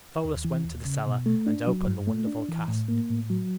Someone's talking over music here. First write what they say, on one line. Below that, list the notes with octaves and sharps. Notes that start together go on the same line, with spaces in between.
Pholus went to the cellar and opened the wonderful cask.
D#2
E3
D#2
C#3
B2
A3
D4
F#3
G2
A3
D4
E3
A2
A#3
A2
F#3